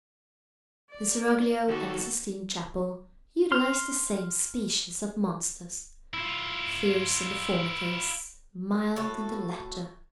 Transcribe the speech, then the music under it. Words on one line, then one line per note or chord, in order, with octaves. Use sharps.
The seraglio and the Sistine Chapel utilized the same species of monsters; fierce in the former case, mild in the latter.
D5
D#2 D#3 F#4 A4
C6 F6
E4 F4
A2 F#4 A4